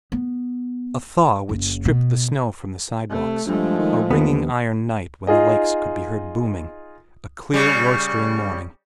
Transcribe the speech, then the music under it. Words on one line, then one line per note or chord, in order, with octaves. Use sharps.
A thaw which stripped the snow from the sidewalks; a ringing iron night when the lakes could be heard booming; a clear roistering morning.
B3
F#1
B2
C3 A3
G2 F3 G#3 A3
D#3
A#1 D#2 B3
D#4 F4 G#4 D#5
C#3 G3